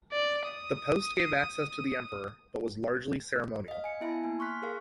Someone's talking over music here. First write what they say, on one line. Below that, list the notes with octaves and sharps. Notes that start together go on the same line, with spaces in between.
This post gave access to the emperor but was largely ceremonial.
D5
D#6
D#5 F5
G#5 C#7
B3 E4 E5 G#5 A5 B5
A#3 G#5
C6 C#6 F6 F#6 B6
G#4 A#4 F5